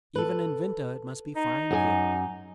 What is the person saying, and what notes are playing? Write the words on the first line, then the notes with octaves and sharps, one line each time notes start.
"Even in winter it must be fine here."
A4 B4
D#4
F#2 G#4 G#5